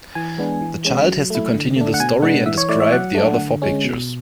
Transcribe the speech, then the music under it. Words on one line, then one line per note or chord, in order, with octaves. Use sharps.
The child has to continue the story and describe the other four pictures.
E3 G#5
G#3 B3 D4
E3
G#3 C#4
F#3
A3 E4
D3
A3 D4
F#5
B2 G#5
G#3 B3 D4 F#5
E3 E5
C#5
A3 E4 D5
E5
F#3 F#5
A3 D4
D3
G#3 C#4
B2